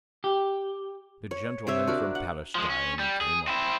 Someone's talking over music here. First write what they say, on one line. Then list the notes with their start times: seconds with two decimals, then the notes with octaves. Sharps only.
The gentleman from Palestine came up.
0.24 G4
1.31 C#5
1.67 C3 C#5 E5
1.87 D4 F#4 A#4
2.15 F#5
2.55 F3 G#3
2.70 C#4
2.99 G3
3.21 G#4
3.47 C4 E4